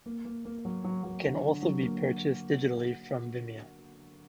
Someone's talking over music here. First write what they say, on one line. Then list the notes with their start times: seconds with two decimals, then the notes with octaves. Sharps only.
Can also be purchased digitally from Vimeo.
0.06 A#3
0.25 A#3
0.45 A#3
0.65 F#3
0.84 F#3
1.04 F#3
1.24 D3
1.43 D3
1.63 F#3
1.82 A#3